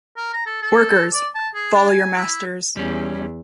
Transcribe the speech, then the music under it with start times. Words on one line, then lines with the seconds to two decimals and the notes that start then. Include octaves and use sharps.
Workers, Follow your masters!
0.17 A#4
0.33 A#5
0.46 A4
0.62 A4
1.13 D5
1.35 A5
1.54 G#4
1.74 D4
1.88 G#5
2.16 E4
2.77 E2 G3 C#4